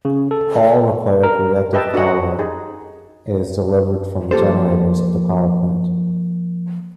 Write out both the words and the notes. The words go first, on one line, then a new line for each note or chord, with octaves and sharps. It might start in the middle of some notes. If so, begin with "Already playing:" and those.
All required reactive power is delivered from the generators of the power plant.
C#3
A4
A#4
G4 B4 D#5 E5 G5 A5
D4 F#4 A4 D#5 F#5
D#4 G4 G#4
F3 A#3 G4 A4 C5